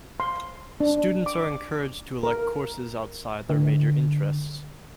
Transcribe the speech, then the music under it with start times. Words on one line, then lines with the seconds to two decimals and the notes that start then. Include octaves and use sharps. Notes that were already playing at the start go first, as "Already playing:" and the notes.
Students are encouraged to elect courses outside their major interests.
0.20 C6
0.80 D4
1.26 D6
2.23 A#4
3.49 D3